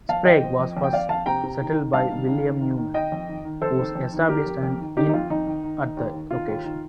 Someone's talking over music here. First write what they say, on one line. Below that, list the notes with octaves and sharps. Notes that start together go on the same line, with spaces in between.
Sprague was first settled by William Newman, who established an inn at the location.
F3 F5 A5
F2 D#5 G5
F3
F2
F2
G5
F2 D5 F5
F2 F5 A5
C3 G5 A#5
C3
D#3
D#3
G2 F5 A5
D#3
D#3
D#3
D#3
D#3
D#3 D#5 G5
F2
D#3
D#3
F2 A4 C5
D#3
F2
D#3
D#3 G4 A#4
F2
F2
D#3
D#3 D#4 G4
D#4
F2 F4
F2 D#4
D#3
D#3
D#3
D#2
D#3
D#3 F4
D#2
D#3